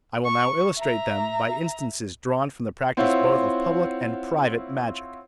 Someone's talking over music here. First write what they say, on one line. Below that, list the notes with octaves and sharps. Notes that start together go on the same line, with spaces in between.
I will now illustrate them by instances drawn from the practice both of public and private magic.
C#6
E5 A#5
C4 E4 F4 C5 C#5 F#5